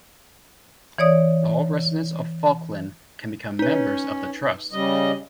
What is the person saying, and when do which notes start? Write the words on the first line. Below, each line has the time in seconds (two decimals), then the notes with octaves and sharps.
All residents of Falkland can become members of the trust.
0.98 E3 C#5 D5 D#6
3.59 C#4 D#4 B4
4.72 C#3 G3 D#5